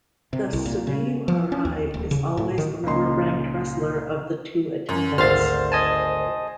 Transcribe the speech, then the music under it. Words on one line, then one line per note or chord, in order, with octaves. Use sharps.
The "tsuyuharai" is always the lower ranked wrestler of the two attendants.
C3
C2
A#2
C#3
F3
C#4
D#2
D1
C#3
A2
D#3
C#2 A#2 C#3 D#4 C6
F#2
G#1 D2 C5 F5 F6 A6
D#5 G#5 A5